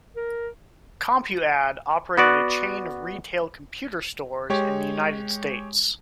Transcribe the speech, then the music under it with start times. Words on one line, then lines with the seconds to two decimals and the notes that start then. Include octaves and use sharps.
CompuAdd operated a chain of retail computer stores in the United States.
0.16 A#4
2.17 B3 F#4 D5
4.50 G#3 G4 C#5